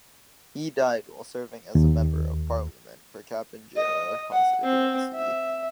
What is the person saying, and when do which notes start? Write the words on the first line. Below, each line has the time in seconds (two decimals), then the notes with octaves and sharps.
He died while serving as the member of parliament for Kapenguria Constituency.
1.75 D#2
3.77 D#5
4.32 F#5
4.64 C4
5.15 E5